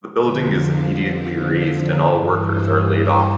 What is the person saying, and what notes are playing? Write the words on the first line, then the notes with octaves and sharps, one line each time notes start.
The building is immediately razed and all workers are laid off.
F2 D3 F3 E5 G5
D5 F5
A#4 D5
A4 C5
G2 E3
A4 C5
A4 C5